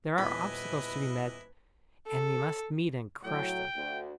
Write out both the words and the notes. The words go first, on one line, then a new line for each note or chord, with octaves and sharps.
There are obstacles to be met, and we must meet, and crush them!'
D#1 E2 E4 B4 D#5 B5 G#6
A4
A2 F#3 G5
D2